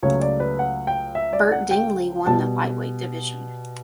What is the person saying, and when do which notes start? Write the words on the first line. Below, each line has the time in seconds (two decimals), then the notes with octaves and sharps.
Bert Dingley won the lightweight division.
0.03 C#2 C#3 F#3 A3 C#5
0.21 D5
0.40 B4
0.59 F#5
0.87 G5
1.15 E5
1.33 D5
1.52 F#5
1.71 G5
2.26 B2 G3 A5